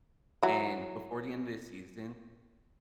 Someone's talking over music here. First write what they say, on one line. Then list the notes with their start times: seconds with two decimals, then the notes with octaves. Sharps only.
and before the end of the season,
0.43 E3 F#3